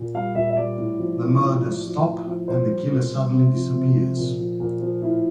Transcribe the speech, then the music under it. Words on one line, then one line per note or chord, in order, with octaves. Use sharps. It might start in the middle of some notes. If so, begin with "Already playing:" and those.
The murders stop and the killer suddenly disappears.
Already playing: A#2
G3 F5
A#2 E5
E5
G3 D5
A2
F3
A2
F3
A2
F3
A2
F3
A#2 C5
G3
A#2
G3
C3
F3
C3
F3
A#2
F3
A#2
F3
A2 E4